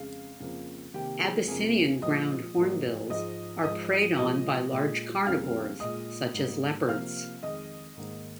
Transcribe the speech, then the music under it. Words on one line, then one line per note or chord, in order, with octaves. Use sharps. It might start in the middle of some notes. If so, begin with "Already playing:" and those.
Abyssinian ground hornbills are preyed on by large carnivores, such as leopards.
Already playing: F2 C#3 G#3 F5
F2 C#3 F3 A#3
C3 D#3 A#3 G4 G5
G#4 G#5
F2 C3 F3 A#3 G#4 G#5
A#2 F3 G#3 D#5 D#6
G#2 F3 A#3
G#2 F3 G#3 D#5 D#6
G#2 F3 G#3 D#5 D#6
A#2 F3 G#3 D#5 D#6
A#2 G#3
F2 C#3 G3 A#3 F5 F6
A#2 G#3 D#5 D#6
G#2 G3 A#3
C3 F3 A#3 F5 F6
F2 D#3 G#3 D#5 D#6
G#2 D#3 A#3